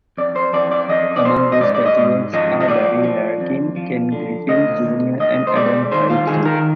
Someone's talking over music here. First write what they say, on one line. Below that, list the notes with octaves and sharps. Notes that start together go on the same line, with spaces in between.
Among these graduates are Barry Larkin, Ken Griffey, Junior and Adam Hyzdu.
F2 D5
C5
F2 D5
D5
F2 D#5
D5
F2 C5
D#5
G#2 D5
D5
D#5
G#2
F3 D#5
D#5
F3 D5
F3
F2
F3
D3
D2 D#5
D2
D2 D#5
C5
G#3 D5
D#3 C5
F4
D#3 G#4
A#4